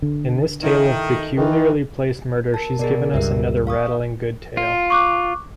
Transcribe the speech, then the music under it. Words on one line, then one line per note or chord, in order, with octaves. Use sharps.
In this tale of peculiarly placed murder she's given us another rattling good tale.
D3
D#3 E4 A4
D#3 E3
A#4 A5
B2 G#4 A#4 D5
C#2 G2 A#4 E5
F5 C#6 D#6
F4
C#6 D6 F#6